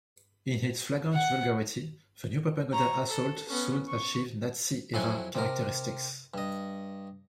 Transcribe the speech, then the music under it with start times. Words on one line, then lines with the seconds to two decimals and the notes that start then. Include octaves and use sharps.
In its flagrant vulgarity, the new propaganda assault soon achieved Nazi-era characteristics.
1.14 F#5
2.73 C#5 A#5
3.08 A4
3.48 B3 C#4
3.88 C#6
4.94 F2 F#3 E4 G#5 C6 C#6
5.35 C3 A#4
6.34 G2 D#5